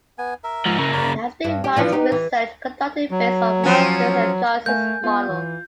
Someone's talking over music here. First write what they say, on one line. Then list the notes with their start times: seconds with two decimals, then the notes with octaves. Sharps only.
There has been much research conducted based on Masters and Johnson's model.
0.18 B3 G#5
0.44 A#4 E5
0.65 G#2 F3
0.78 C#3 A#3
0.92 A#4 D5 B5
1.44 G2
1.64 G4
1.77 E3 F3 D4
1.92 B3 D#4 G4
2.12 E3
3.11 F#3
3.63 F3 C#4
4.66 A3 A#4 F5 G#5 G6
5.04 B3 F4
5.29 E3